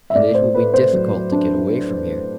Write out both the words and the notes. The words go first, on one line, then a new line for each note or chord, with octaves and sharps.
And it will be difficult to get away from here.
E5
A2 D5
C5
A3 B4
C5
F#3
D4